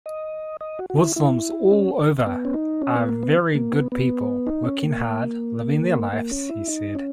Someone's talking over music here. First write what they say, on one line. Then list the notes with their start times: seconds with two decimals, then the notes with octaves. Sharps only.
'Muslims all over are very good people, working hard, living their lives,' he said.
0.06 D#5
0.61 D#5
0.79 F#4
0.90 F#4
0.97 E4
1.16 E4
1.71 C#4
2.27 B3
2.45 C#4
2.54 D#4
2.82 C#4
2.95 B3
3.09 A#3
3.23 B3
3.55 A#3
3.73 B3
3.92 B3
4.47 D#4
4.65 C#4
4.84 A#3
6.12 A#3
6.31 C#4
6.49 E4
6.68 D#4
6.95 C#4